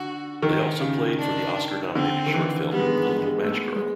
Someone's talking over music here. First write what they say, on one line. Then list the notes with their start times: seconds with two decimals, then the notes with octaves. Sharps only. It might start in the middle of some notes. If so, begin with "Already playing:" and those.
They also played for the Oscar nominated short film, The Little Match Girl.
Already playing: D3 F#4
0.43 D#3
0.80 C#3
1.19 D4
1.95 D3 C4
2.26 D#3
2.34 E3
2.71 G3 B3
2.79 G#3
2.86 G3
2.97 G#3
3.23 G#3
3.44 A3
3.48 G#3 B3
3.76 G#3